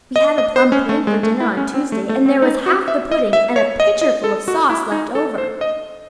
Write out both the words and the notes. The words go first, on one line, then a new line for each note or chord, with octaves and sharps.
We had a plum pudding for dinner on Tuesday and there was half the pudding and a pitcherful of sauce left over.
D#5
D#5
C5
C#4
A3
G#3
A3
E4
C#4
C4
A3
A3
C4
D#4
F#4
E5
D#5
E5
C#5
D#5
D#5
A4
F#4
E4
D#4
A4
C5
D#5